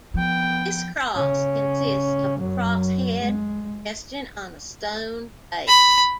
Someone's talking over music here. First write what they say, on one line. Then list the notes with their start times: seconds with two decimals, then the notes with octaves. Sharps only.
This cross consists of a cross head resting on a stone base.
0.14 F3 B3 G5
1.15 C#3 C#4
2.39 F#2 F#3
3.19 G#3
5.68 B5